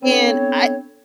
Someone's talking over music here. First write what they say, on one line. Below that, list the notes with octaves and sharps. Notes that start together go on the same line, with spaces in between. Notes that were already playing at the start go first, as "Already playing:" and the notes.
and I
B3 C4 D4 A4 C#5